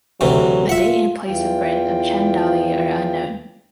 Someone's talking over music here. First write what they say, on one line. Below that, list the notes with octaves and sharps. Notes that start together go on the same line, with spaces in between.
The date and place of birth of Chen Dali are unknown.
D2 C3 E3 F#3
F4 E5 F#5
E2 E3 F4 G5